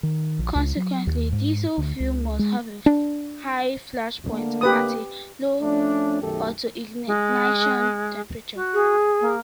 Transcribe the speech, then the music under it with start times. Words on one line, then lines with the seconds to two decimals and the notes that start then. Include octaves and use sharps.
Consequently, diesel fuel must have a high flash point and a low autoignition temperature.
0.03 D#3
0.39 A#1
0.55 C#2
0.76 F#3
1.07 D#2
1.32 G#2
1.78 D2
2.00 C#2
2.39 G#3
2.86 D4
4.27 D3 A3 A#3
4.61 G4 B4 D#6
5.61 F3 A3 C#4 D4
6.22 B1 F#2 D#3 A3 G4 A4
7.07 G#3
8.56 F#4
8.74 G#4
9.21 A#3